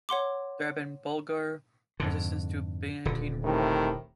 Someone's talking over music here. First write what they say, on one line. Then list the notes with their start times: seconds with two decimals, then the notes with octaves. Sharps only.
There had been Bulgar resistance to Byantine rule.
0.09 C#5 F#5 C6 D6
2.00 F2 G#2 D3
3.05 D#1 D3
3.45 A2 C3 D#3